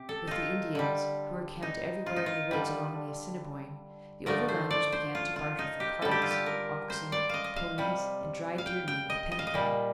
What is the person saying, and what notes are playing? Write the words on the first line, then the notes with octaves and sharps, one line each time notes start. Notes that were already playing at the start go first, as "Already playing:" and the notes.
With the Indians, who were camped everywhere in the woods along the Assiniboine, the Overlanders began to barter for carts, oxen, ponies, and dried deer-meat or pemmican.
Already playing: C3 G4
A4
D#4 F4
D3 G3
D#4
F4
D#4
F4
D3 G3
D3 F3 A3 A#4
C5
D5
C5
F4
F4
D#4
G4
D3 G3 A4
G4
F4
G4
A#4
C5
D5
D#5 F5
D#5
F5
C3 G3
F5
G5
G5
D#5
D#5
F5
D#5
A#2 G3